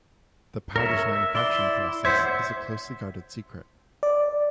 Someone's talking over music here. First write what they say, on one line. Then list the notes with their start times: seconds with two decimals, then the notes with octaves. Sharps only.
The powder's manufacturing process is a closely guarded secret.
0.76 A#4 C#5 E5
1.09 E5
1.35 E4 D5 C6
2.05 C5 C#5 E5 F#5
4.03 D5